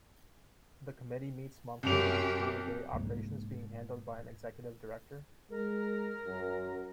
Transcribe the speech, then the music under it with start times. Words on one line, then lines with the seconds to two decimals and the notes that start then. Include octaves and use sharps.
The committee meets monthly with its day-to-day operations being handled by an executive director.
1.83 C2 F#2 G4 F7
2.93 C2 G#2 A#3
5.50 G#3 A#4
6.26 F#2